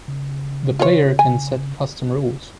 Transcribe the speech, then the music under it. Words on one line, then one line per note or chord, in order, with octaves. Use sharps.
The player can set custom rules.
C#3
F4 C#5
G#5